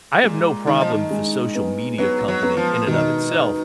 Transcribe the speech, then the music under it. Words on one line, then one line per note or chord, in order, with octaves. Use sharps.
I have no problem if a social media company in and of itself
A#2 G#3
D#3 D#4
F3
D#3
G#3
B3
F#3 B3
F#3
B3
F3
B2 D#3
D#4